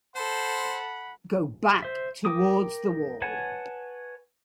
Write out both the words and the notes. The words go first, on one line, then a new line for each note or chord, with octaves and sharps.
Going back towards the wall!
A4 C5 F#5 B5
C5 E5
A#4 G5 D6 D#6
B4 C#5 F#5 G#5 A5